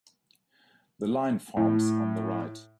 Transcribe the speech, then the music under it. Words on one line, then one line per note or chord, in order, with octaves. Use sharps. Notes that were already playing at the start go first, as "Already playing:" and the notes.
The line forms on the right.
A2